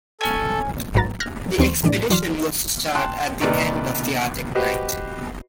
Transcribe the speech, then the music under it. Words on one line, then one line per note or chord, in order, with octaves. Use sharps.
The expedition was to start at the end of the Arctic Night.
C#4 A4 G#5
A1 G#2 F#3 B4 A#5 A6
F6 F#6 G#6 A#6
D#2 E3 C4 C6 C#6
C2 A2 E3 D4 D5
E2 F#3 D5 C6 F6
G5 A5 C6 F#6
C2 A#2 D#3 B4 D5 D#5
F#4 G4 B4 C5 D#5